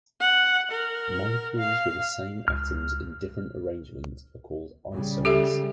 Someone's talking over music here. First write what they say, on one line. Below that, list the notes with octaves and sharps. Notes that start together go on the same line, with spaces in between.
Molecules with the same atoms in different arrangements are called isomers.
F#5
A#4
F5
C#2 F6
C#3 G3
G4 A4 E5